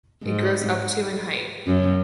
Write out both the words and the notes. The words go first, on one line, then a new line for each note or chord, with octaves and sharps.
It grows up to in height.
G#2
F#2